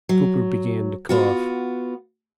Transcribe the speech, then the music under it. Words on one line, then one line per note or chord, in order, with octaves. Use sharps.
Cooper began to cough.
F#3
B3 F4 F#4